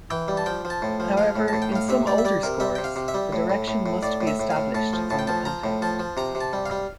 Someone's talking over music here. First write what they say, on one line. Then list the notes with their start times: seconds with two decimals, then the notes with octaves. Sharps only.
However, in some older scores the direction must be established from the context.
0.11 E3 G5
0.28 G3
0.37 A5
0.46 F3 G5
0.65 F3
0.70 A5
0.82 A2
1.00 F3
1.17 F3 F5
1.36 A2
1.48 A2 A5
1.62 G5
1.72 A2 F5
1.89 C3 E5
2.07 G3 D5
2.18 E5
2.25 G3 D5
2.43 C3 A#4
2.60 G3 E5
2.75 C3 G5
2.84 F5
2.96 C3
3.08 E5
3.14 G3
3.33 A2
3.50 A2
3.68 A2
3.86 A2
4.03 A2 D5
4.21 A2
4.27 E5
4.39 A2
4.50 F5
4.56 A2
4.75 A2 A5
4.93 F3
5.10 A2 A5
5.19 G5
5.27 F3 A5
5.45 F3 A#5
5.64 A2
5.82 F3 A5
6.00 F3
6.17 C3 A#5
6.35 C3
6.41 A5
6.53 G3
6.66 F5
6.71 G3